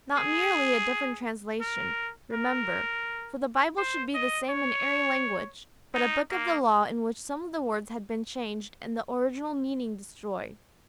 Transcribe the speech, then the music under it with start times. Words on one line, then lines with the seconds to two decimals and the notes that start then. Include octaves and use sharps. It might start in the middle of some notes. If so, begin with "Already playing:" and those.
Not merely a different translation, remember, for the Bible should be the same in every language, but a Book of the Law in which some of the words had been changed and the original meaning destroyed.
0.17 G#4
1.61 A#4
2.33 A#4
3.77 C5
4.14 D#5
4.50 C#5
5.94 D#4
6.30 A#3